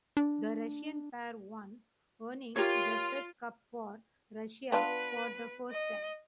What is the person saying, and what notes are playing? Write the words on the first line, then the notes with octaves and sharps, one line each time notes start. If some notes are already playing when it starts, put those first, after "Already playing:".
The Russian pair won, earning the Fed Cup for Russia for the first time.
D4
F4 G4 A#4 C#5
B3 D4 F4 B4
D#5